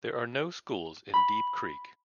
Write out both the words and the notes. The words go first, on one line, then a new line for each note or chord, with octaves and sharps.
There are no schools in Deep Creek.
B5